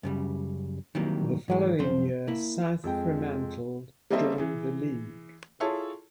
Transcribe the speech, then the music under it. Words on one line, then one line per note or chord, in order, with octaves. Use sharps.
The following year South Fremantle joined the league.
F#2 C#3 G3
D#3 E3 F#3 G3 A#3 C4
G#2 E3 G#3
C2 F#2 F3 C4 C5
A#3 E4
F2 G#3 G5
G3 A#3 C4 A4 D#5 E5
E3 G#4
E4 F4 G#4 A4 C#5 A5